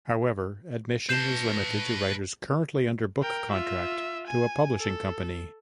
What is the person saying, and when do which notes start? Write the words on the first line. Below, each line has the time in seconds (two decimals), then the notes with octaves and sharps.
However, admission is limited to writers currently under book contract to a publishing company.
1.09 B4 A5 G6 C7 E7
3.22 A#4 G5
3.51 F4 E5
4.27 G#5
4.79 A4